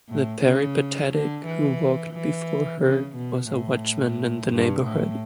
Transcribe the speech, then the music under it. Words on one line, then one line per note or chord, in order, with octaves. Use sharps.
The peripatetic who walked before her was a watchman in the neighbourhood.
A2
C#3
D3
E3
E3
C#3
B2
A2
G2
A2